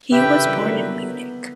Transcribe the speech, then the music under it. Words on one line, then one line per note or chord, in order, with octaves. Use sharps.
He was born in Munich.
C#3 G4 B4 E5 G5
D3
D#3
E3
G3
F#3 A#3
A3
B3